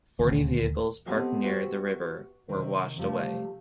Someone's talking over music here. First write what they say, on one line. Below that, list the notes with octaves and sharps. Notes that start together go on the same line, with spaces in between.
Forty vehicles parked near the river were washed away.
D#1 G#1 D2
B3 C4 G4 A4 D#5
F#4 G4 B4 C5 E5 G5
C3 D#3
C3 F3 G3 A3